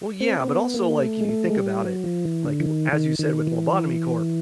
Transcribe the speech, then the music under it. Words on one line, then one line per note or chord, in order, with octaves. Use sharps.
Well, yeah, but also like, if you think about it, like, as you said with Lobotomy Corp,
C4
C4
B3
A#3
A3
G#3
A3
G#3
G3
F#3
F3
E3
D3
E3
D#3
D#3
D#3
E3